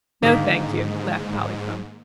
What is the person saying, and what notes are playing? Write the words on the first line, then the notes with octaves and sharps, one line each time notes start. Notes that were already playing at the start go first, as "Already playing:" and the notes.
"No, thank you," laughed Polychrome.
G#2 D3 D#3 A#3 D#6 B6